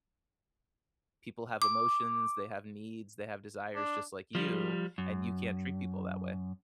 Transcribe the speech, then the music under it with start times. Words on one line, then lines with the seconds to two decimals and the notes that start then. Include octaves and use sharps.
people have emotions, they have needs, they have desires just like you, and you can't treat people that way."
1.62 D6
3.76 D4
4.35 F3 G3
4.98 F#2